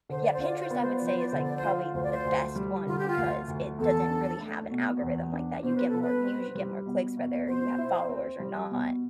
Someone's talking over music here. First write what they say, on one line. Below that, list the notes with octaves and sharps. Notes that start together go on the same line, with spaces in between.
Yeah. Pinterest, I would say is, like, probably th the best one, because it doesn't really have an algorithm like that; you get more views, you get more clicks whether you have followers or not,
D3 C5
D5
C5
F4
D5
C5
B3 D5
C5
D5
F3 C5
D5
D3 C5
D5
C5
F4
D2 C5
D5
C5
D2
G3
D3 F4
G4
F4
D2
D2
E2 A4
D4
A3
B2
E2
D4
B2 C5
B4
B2 A4
B4
C4
G3
B2
B2
B2 C5
E4
C4
G3
B2